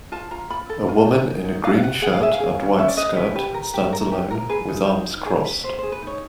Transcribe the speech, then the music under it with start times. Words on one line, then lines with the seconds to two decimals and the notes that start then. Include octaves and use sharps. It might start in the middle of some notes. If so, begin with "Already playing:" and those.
A woman in a green shirt and white skirt stands alone with arms crossed.
0.12 F4 A5
0.31 F4 A#5
0.50 F4 B5
0.69 A4
0.88 F4
1.07 D#4
1.26 D#4
1.45 D#4
1.64 B4 F5
1.74 F5
1.83 B4 F#5
2.02 G#4 F#5
2.13 F5
2.21 G#4 E5
2.34 F5
2.40 G#4
2.60 C#4
2.78 C#4 E5
2.88 D5
2.97 B4 D#5
3.16 C#4 B4
3.35 G4 B4
3.54 A#4
3.74 G4
3.93 A#4
4.12 G4
4.31 A#4
4.49 G#4 B4
4.69 D#4
4.88 D#4
5.07 D#4
5.25 G#4
5.45 B4
5.63 B4 C5
5.79 G#4 C5
5.92 B4
6.02 D#4 C#5